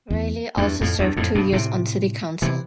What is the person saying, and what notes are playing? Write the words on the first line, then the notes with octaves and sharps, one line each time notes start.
Reilly also served two years on city council.
E2
E2 G2
F2 A2
E2 G2
F2 A2
G2 B2
A2 C3
C3 E3